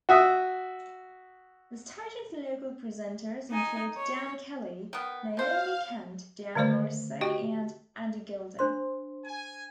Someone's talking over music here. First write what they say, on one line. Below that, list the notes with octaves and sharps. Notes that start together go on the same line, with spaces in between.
The station's local presenters include Dan Kelly, Naomi Kent, Dan Morrissey and Andy Goulding.
F#4 E5 D#6
D#4 G#5
C#5
D#3 B3
C#3 C5 F5
D3 D#3 A3 C5 D5
F#4 G4 D#5 G5
D4 C5 C6
G#5